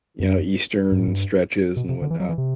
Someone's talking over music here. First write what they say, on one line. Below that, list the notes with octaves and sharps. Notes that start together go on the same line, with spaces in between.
you know, eastern stretches, and whatnot.
F#2
G2
A2
G2
B2
C3
D3
E3
F#3
E3
C3